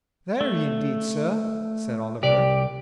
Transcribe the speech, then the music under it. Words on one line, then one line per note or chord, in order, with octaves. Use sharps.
'Very indeed, sir,' said Oliver.
A3
C2 G4 D5